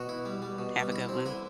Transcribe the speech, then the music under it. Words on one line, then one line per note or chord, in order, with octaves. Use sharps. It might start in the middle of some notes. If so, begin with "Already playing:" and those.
Have a good one.
Already playing: B2 F#4
E4
G3
G3
B2
G3
E4
C4
D3 E4